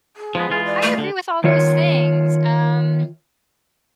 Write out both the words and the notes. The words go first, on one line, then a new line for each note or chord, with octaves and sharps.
I agree with all those things, um
G#4
F3 G#3 B3
E3 G#3 F4
D5
A3
D3
D#3 F4 C#5